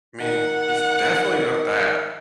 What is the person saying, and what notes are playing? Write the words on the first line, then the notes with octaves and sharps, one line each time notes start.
I mean, he's definitely not that.
D#3 F#5